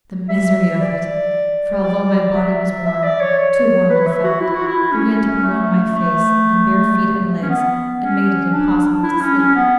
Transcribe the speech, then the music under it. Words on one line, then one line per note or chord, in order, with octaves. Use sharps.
The misery of it! for although my body was warm--too warm, in fact--the wind blew on my face and bare feet and legs, and made it impossible to sleep.
E5
D5
D5
E5
E5
D5
C#5
C#5
B4
E5
F#4
E4
F#4
E4
C#4
A3
A3
C#4
B3
C#4
D4
E4
C#4
C#4
B3